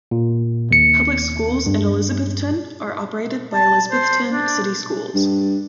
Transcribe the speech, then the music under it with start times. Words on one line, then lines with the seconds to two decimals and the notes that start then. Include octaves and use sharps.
Public Schools in Elizabethton are operated by Elizabethton City Schools.
0.11 A#2
0.71 D#2 C#7
1.66 G2
3.54 A5
3.92 C5
4.31 D4
5.14 G2